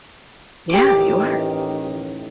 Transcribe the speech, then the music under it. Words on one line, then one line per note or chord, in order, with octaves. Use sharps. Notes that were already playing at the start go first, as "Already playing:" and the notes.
Yeah, you are.
A1 D#3 G4 D6